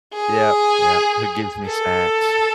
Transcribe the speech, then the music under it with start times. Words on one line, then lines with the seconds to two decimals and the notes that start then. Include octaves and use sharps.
Yep. Yep. "Who gives me snacks,"
0.14 G#4
1.66 A4